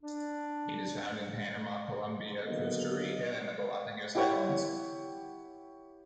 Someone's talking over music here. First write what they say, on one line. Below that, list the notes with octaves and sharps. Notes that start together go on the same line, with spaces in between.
It is found in Panama, Colombia, Costa Rica, and the Galapagos Islands.
D4
D3 D#3 F#3 A#3 B3 D#5
E4 G4 C#5 F#5